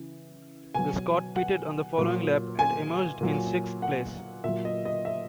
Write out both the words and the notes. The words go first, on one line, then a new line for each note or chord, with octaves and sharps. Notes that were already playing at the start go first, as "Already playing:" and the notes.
The Scot pitted on the following lap and emerged in sixth place.
Already playing: C#3 E3
B2 F#3 G#5
F#5
A#2 F#3
G#5
A#2 F#3
F#5
A#2 F#3 E5
D#5
D#5
E5